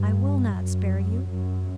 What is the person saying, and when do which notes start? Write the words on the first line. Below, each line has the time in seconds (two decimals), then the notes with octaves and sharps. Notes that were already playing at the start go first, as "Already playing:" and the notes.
I will not spare you.
Already playing: G2
0.56 F#2
1.30 F#2